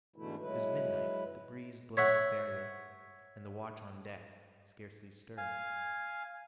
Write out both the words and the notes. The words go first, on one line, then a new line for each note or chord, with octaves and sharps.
It is midnight; the breeze blows fairly, and the watch on deck scarcely stir.
G#2 B2 D3 E3 A3 E4
F#3 G#3 E4 B4
C#5 E5 F#5
F5 G#5